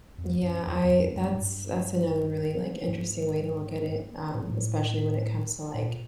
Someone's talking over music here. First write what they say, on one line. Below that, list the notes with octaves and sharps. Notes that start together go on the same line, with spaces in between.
Yeah, I that's that's another really, like, interesting way to look at it, um, especially when it comes to, like,
F2
F#2
E2
E2
F2
F#2
G#2
G2
G#2
A2
G#2
A2
A2
A#2